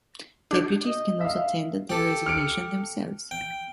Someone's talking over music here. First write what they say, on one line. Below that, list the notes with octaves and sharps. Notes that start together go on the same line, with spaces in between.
Deputies can also tender their resignation themselves.
D4 F#4 G6
D#5
E5 F5
G4 A4
F6 C#7 D7
G5